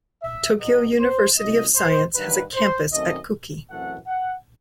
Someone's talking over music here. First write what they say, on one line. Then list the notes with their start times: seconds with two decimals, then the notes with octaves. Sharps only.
Tokyo University of Science has a campus at Kuki.
0.22 E5
0.60 C2 B2 F#3 D#5
0.99 C5
1.37 C2 B2 A3 D#5
1.76 C5
2.15 G2 D#3 F#3 B4
2.53 C5
2.92 F#2 D#3 A3 C4 D#5
3.69 F#2 E3 A3 C4 F#5
4.07 F#5